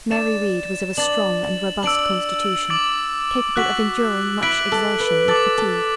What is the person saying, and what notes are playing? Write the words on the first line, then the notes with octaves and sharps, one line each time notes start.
Mary Read was of a strong and robust constitution, capable of enduring much exertion and fatigue.
D4 A6 E7
D4 A6 F#7
D4 E6 D7 F#7
D6 A6 D7 F#7
F#4 F#6 B6 F#7
E4 F#6 B6 D7 F#7
A4
B4
A4 D6 A6 F#7
A4